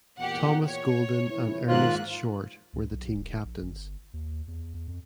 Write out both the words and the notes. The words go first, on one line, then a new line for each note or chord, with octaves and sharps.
Thomas Golden and Ernest Short were the team captains.
E2 A#2 G4 F#5
C#5
A#1 E3 E4
G#2 D#3 G#3 A#3 F4 C5 F#6
C#2
B1
D1
A#1
G1
D#2
E2
E2
F2